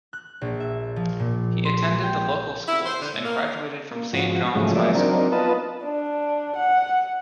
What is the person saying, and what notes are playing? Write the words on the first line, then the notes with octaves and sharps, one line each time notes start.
He attended the local schools and graduated from Saint John's high school.
F#6
A#1
E5
F3
A#2
C6
G#3
G5
E4
C5
D3
A2
A#3
A#3
G#2 F3 F#4
G#2 C#3 F3 F#3 G#3 A3
F3 F#3 G#3 A#3 D5 E5
F#3 C4 D4 D#4 A#4
B3 F4 B4 D#5 A5
D4
F#5